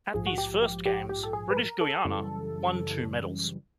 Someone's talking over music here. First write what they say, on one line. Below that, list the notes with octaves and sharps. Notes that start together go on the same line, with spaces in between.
At these first Games, British Guiana won two medals.
A#1 G#2 F3 G#4
F#4
G4
G4
G4
G4
A4
G#4
B4
A#4
A4
F#2 C#3 E3 G3